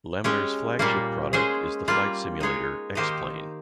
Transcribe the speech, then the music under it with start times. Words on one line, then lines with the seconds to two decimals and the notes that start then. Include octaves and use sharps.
Laminar's flagship product is the flight simulator "X-Plane".
0.24 G#3 C#4 G4
0.79 A#2 G3 A#3
1.33 G#3 C#4 G#4 C5
1.88 G3 A#3 F4
2.40 G#3 D#4 G#4 C#5
2.95 D#3 A#3 D#4 G4 C5